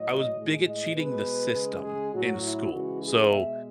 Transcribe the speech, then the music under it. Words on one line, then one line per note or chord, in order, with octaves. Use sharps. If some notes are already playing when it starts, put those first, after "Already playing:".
I was big at cheating the system in school. So
Already playing: A2 F#3 D#5
A2 G#3
D#5
B2 G#3 B4
C#3 G#3
G#4
A2 F#3 F#4
E4
C#3 E3 G#3 F#4
G#4
B2 G#3 E5